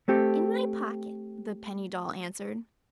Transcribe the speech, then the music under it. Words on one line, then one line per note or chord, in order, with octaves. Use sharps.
"In my pocket," the penny doll answered.
A3 C4 G4 A4